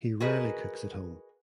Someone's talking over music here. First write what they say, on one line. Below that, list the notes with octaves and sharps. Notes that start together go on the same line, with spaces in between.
He rarely cooks at home.
F#4 G#4 A#4 B4 D#5